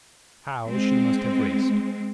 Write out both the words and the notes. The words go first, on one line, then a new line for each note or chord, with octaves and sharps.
How she must have raced!
G#3 C4